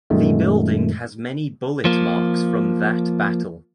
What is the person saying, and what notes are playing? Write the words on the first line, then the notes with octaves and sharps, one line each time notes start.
The building has many bullet marks from that battle.
F#2 A#2 D#3 G#3 A3
F3 A#3